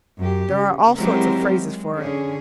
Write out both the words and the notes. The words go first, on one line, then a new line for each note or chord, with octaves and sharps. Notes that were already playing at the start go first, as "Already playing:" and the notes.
There are all sorts of phrases for it.
F#2 G4
C#3
F#3 G#3 C4 E4 G4 A#4
G#3
D3 C#4 G#4